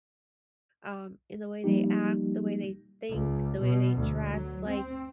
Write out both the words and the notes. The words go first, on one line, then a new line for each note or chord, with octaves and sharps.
um, in the way they act, the way they think, the way they dress, like,
F3 G3 A#3 D#4 G4
C#2
B2
D2
F#3
C4